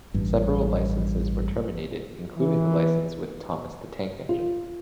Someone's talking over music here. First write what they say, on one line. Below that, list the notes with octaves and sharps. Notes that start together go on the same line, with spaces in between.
Several licenses were terminated including the license with Thomas the Tank Engine.
A1 G2
E3
F4